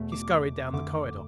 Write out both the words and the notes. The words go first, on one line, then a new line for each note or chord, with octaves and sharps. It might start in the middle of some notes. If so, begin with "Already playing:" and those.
She scurried down the corridor.
Already playing: E2 B2 A3
D6
F2 D3 A3 D6